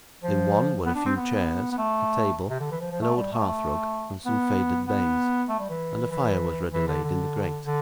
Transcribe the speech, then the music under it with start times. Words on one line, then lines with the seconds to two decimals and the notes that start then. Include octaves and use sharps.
In one, were a few chairs, a table, an old hearth-rug, and some faded baize; and a fire was ready laid in the grate.
0.23 F3
0.86 B3
0.95 D4
1.06 C4
1.17 B3
1.72 B3
1.78 A3
2.50 C3
2.60 D3
2.71 E3
2.81 F3
2.91 F3
3.02 A3
3.17 G3
3.33 A3
4.26 B3
4.88 B3
5.49 A3
5.60 G3
5.70 E3
6.11 E3
6.72 E3
6.88 D3
7.04 D3
7.66 D3